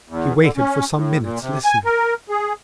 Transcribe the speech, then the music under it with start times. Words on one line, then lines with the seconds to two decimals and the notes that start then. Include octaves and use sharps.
He waited for some minutes listening.
0.09 E2
0.41 D3
0.57 C#4
0.94 A2
1.22 A#2
1.40 C3
1.64 G#5
1.85 A#4
2.29 G#4